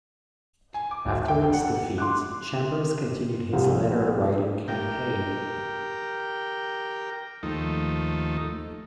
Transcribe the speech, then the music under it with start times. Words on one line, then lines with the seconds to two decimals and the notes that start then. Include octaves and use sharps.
After its defeat, Chambers continued his letter writing campaign.
0.74 G#5
0.91 D6
1.05 D1
1.17 E5
1.28 G5
1.41 F1
1.53 F#5
1.98 C6 D6 F#6
3.53 C2 C3 F3
4.68 G4 A#4 G5
7.43 D#2 F3 A3 D#4